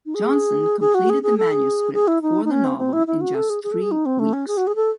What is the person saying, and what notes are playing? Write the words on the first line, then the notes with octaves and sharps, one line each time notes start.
Johnson completed the manuscript for the novel in just three weeks.
D#4
G#4
G#4
F#4
G#4
G#4
A4
G#4
G#4
E4
D#4
D#4
C#4
C4
C#4
C4
E4
E4
F#4
A4
G#4
G#4
A4
G#4
D#4
C4
A3
C#4
G#4
F#4
G#4
A4